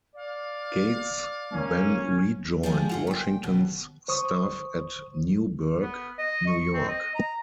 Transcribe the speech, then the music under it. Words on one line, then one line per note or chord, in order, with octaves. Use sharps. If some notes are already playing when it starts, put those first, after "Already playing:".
Gates then rejoined Washington's staff at Newburgh, New York.
D5 F5
A#3 C#4
F3 G3 G#3 G#4
D2 F4 F#5
A#2 G5
D#2 B2 B3
C5 C#6 D#6
B3
D#5
C#6
C4
D#5
A#5